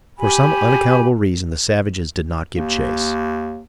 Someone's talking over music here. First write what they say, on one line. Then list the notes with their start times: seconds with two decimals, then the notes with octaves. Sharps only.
For some unaccountable reason the savages did not give chase.
0.18 G4 G#5 B5
2.55 D#2